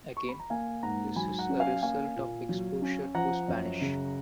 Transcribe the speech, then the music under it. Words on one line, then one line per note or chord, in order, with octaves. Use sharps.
Again, this is a result of exposure to Spanish.
C#6
B5
A#5
A#3 F5 G#5
G#2 F#5 A#5
F#3 G#5 B5
F#5 A#5
C#4
F5 G#5
A#3 F5 G#5
A#2
F#3
C#4
F3 F#5 A#5
F#2
C#3